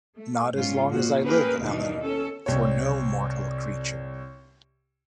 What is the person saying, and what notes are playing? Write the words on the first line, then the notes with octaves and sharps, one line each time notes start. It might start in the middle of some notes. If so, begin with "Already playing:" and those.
Not as long as I live, Ellen: for no mortal creature.
A3
G#2 G3 B3 C#4 F4
A#2 F3 F#4
A#3 C#4 G4 G#4 A#4 B4
D#2 B2 D#3 E3 D4 D#4
C#4 A4
C2 C4 C#5